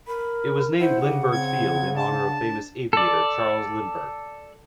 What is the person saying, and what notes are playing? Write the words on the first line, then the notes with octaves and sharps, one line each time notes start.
It was named Lindbergh Field in honor of famous aviator Charles Lindbergh.
A#4 B5
E4 C5 F#5
C#3 G4
C4 G#6
D4 A5
A4 D5